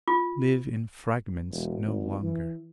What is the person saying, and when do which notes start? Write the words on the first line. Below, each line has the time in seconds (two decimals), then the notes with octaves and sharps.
Live in fragments no longer.
0.08 F4
1.51 E1
1.86 G#1
2.22 E3